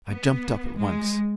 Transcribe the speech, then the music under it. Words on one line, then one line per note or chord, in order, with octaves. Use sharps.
I jumped! up at once.
B3
G#3